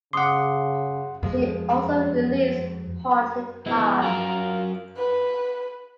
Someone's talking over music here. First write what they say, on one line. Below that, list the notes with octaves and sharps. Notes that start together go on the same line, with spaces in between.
She also released Haunted Heart.
C#3 F#5 C6 D6 D#6
F2 F3 G#3
F3 G#3 B3 E4
F#3 C#4 F4 A#4
B4